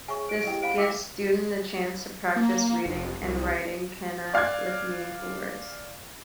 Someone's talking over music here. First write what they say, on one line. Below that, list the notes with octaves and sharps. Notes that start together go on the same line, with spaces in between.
This gives students a chance to practice reading and writing kana with meaningful words.
G#4 C#5 E5 G#5 C#6
C5 D7
A3 E4 G4 D#5 G5
C5 F5 F#5 B5 D7
A3 E5 G5 D6
A#3
F1
C2
D5 F5 D6 F#6 G#6